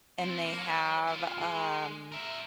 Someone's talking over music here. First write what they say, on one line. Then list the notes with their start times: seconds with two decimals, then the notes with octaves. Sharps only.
And they have, um
0.19 C4 E4
0.45 A#3
0.59 C#5 F#5
1.07 E4 F4
1.38 G#3
2.12 A#4 E5